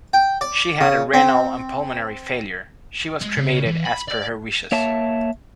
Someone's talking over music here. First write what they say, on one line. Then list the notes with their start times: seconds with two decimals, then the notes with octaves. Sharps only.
She had renal and pulmonary failure., She was cremated as per her wishes.
0.13 G5
0.41 D5
0.81 C#3
1.14 C4
3.22 G#3
3.37 C#3
3.66 E3
3.85 B5
4.08 D5
4.72 A#3 C#5 E5 A5